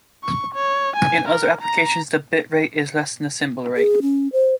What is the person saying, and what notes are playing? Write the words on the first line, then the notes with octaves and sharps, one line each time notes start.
In other applications, the bit rate is less than the symbol rate.
C#6
C#5
G#5
A#4
A#5
G#4
C#4
C5